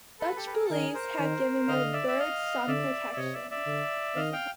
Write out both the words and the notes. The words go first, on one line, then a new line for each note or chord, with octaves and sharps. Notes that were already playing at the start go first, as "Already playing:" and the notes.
Such beliefs have given the bird some protection.
A4 B4
G4 A4
B4
G#4 A#4
A4
D#3 G#4 A#4
A#4 C5
D#3
D3 D#5 F5
D5 E5
E5
D#5 F5
D3 D5 E5
E5
C3 C#5 D#5
D5 E5
D5 E5
D3
D#3 D#5 F5
F5 G5